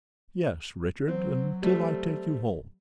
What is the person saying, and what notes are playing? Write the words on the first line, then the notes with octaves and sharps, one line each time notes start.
"Yes, Richard, until I take you home."
F#3 C4
G3 A3 C4